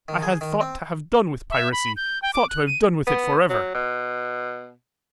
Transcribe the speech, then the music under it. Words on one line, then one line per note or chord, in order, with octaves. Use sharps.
I had thought to have done with piracy; thought to have done with it for ever.
D#3
G#4
D#3
C4
E5
B5
G6
G5
D6
F#6
D#7
B3
F#3
B2